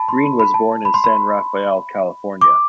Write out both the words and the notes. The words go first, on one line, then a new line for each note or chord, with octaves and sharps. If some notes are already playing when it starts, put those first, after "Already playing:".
Green was born in San Rafael, California.
Already playing: A5 B5
C6
B5
B5
A5
B5
C6
B5
D6